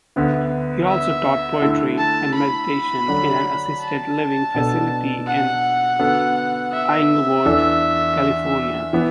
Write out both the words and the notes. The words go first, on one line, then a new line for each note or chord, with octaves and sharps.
He also taught poetry and meditation in an assisted-living facility in Inglewood, California.
D2 D3 B3
E5
D3 A3 E4 A4
A5
B5
D3 F#3 D4 A4
A5
B2 B3 D4 A4
F#5
D3 B3 F#4 A4
E5
E2 E3 D4 A4
E3 B3